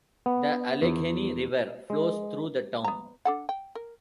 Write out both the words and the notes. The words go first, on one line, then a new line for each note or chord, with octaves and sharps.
The Allegheny River flows through the town.
B3
E2
G#3
B3 A#5
D4 A4 F#5
G5
A#4